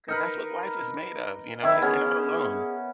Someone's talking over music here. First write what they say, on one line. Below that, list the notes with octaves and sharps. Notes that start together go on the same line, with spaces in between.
'cause that's what life is made of, you know? And you're not alone.
D#4 A#4 B4
D#3 E4 B4 E5
B3 C#4 G#4